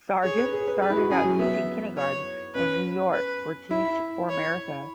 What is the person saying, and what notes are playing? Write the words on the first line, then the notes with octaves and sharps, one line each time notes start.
Sargent started out teaching kindergarten in New York for Teach for America.
G#4 C#5
B4
G#4
B4
G#4 B4
E4
F#4
C#4 G#4
F#3
B3 E5
C#5
C#4 B4
B4
E4 E5
C#5